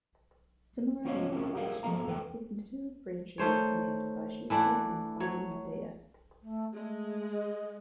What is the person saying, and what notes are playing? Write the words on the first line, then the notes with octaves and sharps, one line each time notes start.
Similarly the Vasishta splits into two branches named Vasishta and Vainateya.
B3 C#4 F4 C#5 D#5 F5
C4 C#4 F4 G#4 A#4 B4
G4 G#4 A#4 F5 F#5
F3 B3 F4 A4 F5 A#5
E2 A4 B4 G5
D#3 A3 C5 C#5
E3 A3 D4 F#5
F#3 C#5
A3
G#3 A3
D#5